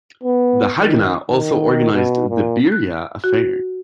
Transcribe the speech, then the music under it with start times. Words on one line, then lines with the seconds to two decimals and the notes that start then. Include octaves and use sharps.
The Haganah also organized the Birya affair.
0.24 B3
0.80 D#3
1.31 D#3
1.93 B2
2.30 A#2
2.72 F#6
3.24 F#4